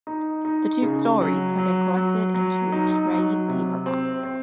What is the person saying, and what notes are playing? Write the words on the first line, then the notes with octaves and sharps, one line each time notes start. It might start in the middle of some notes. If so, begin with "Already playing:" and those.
The two stories have been collected into a trade paperback.
D#4
D#4
C#3
F#3
F#3
F#3
F#3
D#4
F#3
C3
C4
C4